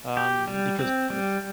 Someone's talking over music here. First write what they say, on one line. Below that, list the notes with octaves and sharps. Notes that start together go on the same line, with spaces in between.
um, because, you know
G4
G3
C4
G3